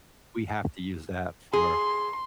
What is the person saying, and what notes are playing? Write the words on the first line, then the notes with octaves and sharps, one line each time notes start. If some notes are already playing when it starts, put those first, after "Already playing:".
we have to use that for,
G#4 C6